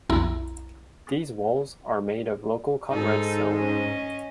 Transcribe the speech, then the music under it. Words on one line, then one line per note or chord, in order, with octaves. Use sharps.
These walls are made of local cut red stone.
B1 F2 E4 A#5
G#2 D#4 A4
C#4 D#5